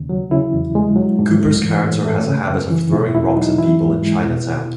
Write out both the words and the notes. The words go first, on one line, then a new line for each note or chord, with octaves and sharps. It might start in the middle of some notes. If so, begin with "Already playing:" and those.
Cooper's character has a habit of throwing rocks at people in Chinatown.
Already playing: D#2 C#3
F#3
C#3 E4
E2
G#3
F#3
G#2
A3
E3
A2
A3
C#3
F#2
E3
B2 E4
E2 E4
F#3 D#4
E3 E4
G#2
G#3
B2